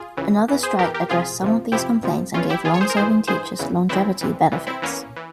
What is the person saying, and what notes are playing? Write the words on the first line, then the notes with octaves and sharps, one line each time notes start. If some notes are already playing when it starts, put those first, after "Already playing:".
Another strike addressed some of these complaints and gave long-serving teachers longevity benefits.
Already playing: F4 G#4
C#2 C#3 E3
E2 E3
G#4 C5
E2 E3 G4 A#4
G4 A#4
C2 C3 F3 F4 G#4
C2 C3 F3
F2 C3 F3 E4 G4
F2 C3 F3
E2 E3 C#4 F4
E4 G4
E2 E3 F4 G#4
C#5
G#4 C5
A#4
G2 E3 G#4 C5
G2 E3 G#4 C5
E2 C#3 E3
E2 C#3 E3 C4 E4
C2 C3 E3
C2 C3 E3
C4 E4
E2 E3 A#3 C#4
E3